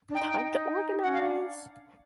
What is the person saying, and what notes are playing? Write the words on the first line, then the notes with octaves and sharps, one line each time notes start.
Time to organize!
D4
D#4 G5
G5
C#4 F#5
F5
D4